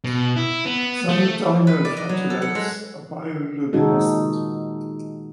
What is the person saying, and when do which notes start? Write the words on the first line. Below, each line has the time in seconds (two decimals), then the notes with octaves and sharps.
Some dinoflagellates are bioluminescent.
0.04 B2
0.37 E4
0.66 B3
1.09 A3
1.67 B4
1.85 D5
1.97 D#5
2.09 F#3
2.30 A4
2.42 F#5
2.55 G#3
3.73 A#2 D#3 G#3 D#4 F#4 A4